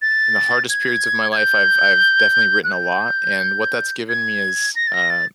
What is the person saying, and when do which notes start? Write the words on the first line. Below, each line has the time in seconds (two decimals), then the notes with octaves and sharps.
in the hardest periods of my life, I've I've definitely written a lot. And what that's given me is, uh,
0.02 A6
0.69 G#6
1.32 G#6
1.37 G6
2.64 F#6
2.72 G6
4.09 G#6
4.76 A#6
4.87 A6
4.93 A#6
5.10 A6